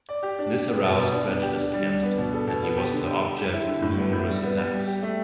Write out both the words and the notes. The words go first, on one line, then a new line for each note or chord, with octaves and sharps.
This aroused prejudice against him, and he was the object of numerous attacks.
D5
G4
D4
G4
B3
B2
B2
D4
B3
G4
D4
G3
D4
B3
B2
A4
B2
B3
G4
D3
G4
D3
G4
E4
D3
A2
B3
A2
G3
B3
G3
G4
G4
A3